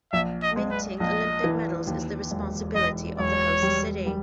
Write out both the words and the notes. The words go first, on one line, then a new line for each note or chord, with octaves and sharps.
Minting Olympic medals is the responsibility of the host city.
A#1 E5
D#5
G#3
B4
A#1 D#5
E3
D#2
E1
E1 D#5
E1 C#5
G3
G3